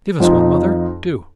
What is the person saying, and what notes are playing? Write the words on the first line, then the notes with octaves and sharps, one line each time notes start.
"Give us one, mother; do."
F2 F3 D#4